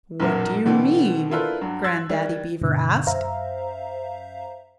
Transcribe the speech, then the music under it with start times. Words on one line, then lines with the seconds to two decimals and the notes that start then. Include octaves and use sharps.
"What do you mean?" Grandaddy Beaver asked.
0.20 B1 F#2 A#2 F#3
0.65 B2 D3 E3 A3 B3 C4
1.30 A#3 D4 E4 F4 A4 B4
1.61 G2 F#3
1.84 C6 E6 F#6 G#6 A6
2.09 D#3 G3
2.61 G2 B2 D3
3.07 F#2 C5 E5 F5 A#5